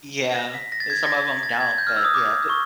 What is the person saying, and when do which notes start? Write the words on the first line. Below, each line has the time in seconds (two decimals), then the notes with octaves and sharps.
Yeah. And some of 'em don't, but yeah. Bu
0.35 A#6
0.54 B6
0.72 A#6
0.80 A6
0.90 G#6
0.98 A6
1.06 A#6
1.43 A6
1.60 G#6
1.78 G6
1.87 F6
1.97 E6
2.05 D#6
2.14 D6
2.49 C#6